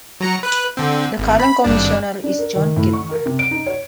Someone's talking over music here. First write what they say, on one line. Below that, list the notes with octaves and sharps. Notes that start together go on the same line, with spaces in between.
The current Commissioner is John Kittmer.
F#3 A#5 C#7
B4 F#6
D3 C4
G#1
B5
G#1 G2 D4
D4
A#4
D#3
A2
C#6
A#4
C3
D7
D#4
C#5